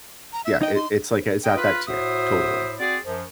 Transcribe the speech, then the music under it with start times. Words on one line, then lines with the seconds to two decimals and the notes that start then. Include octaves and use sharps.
yeah, it it's like it's at that tier, totally,
0.33 A#5
0.45 E5
0.62 D#4 D#5 G5
0.75 C6
1.44 D#5 G5
1.56 F4 B4
1.88 A2 F#4 C5 E5 D#6
2.79 C4 F#4 G#4 D5
3.04 F#2 F3